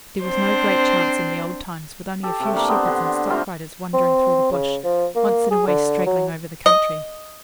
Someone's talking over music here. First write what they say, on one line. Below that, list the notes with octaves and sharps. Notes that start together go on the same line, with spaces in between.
There was no great chance in the old times with only a few shepherds and stock-riders wandering through the bush, once in a way straggling over the country.
C4 D4 C5
G4 A4
C3 A3
A#3 D4
B3 C4 C5
D3
G3 A3 C4 F4
C4
C#3
F3
A#3
G#4
D3
F#3
D#5